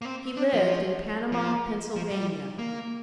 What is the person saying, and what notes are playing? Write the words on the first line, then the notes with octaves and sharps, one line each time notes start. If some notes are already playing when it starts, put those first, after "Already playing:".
He lived in Panama, Pennsylvania.
A#3
C4
D4
F3
F3
F3
G3
A#3